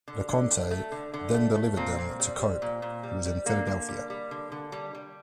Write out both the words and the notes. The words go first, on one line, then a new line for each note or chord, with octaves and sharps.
LeConte then delivered them to Cope, who was in Philadelphia.
D3
D3
A3
A3
D3
D3
A3
A3
A#2 C4
A#2
G3
G3
A#2
A#2
G3
G3
D3 A#3
D3
G3
G3
D3
D3
G3
G3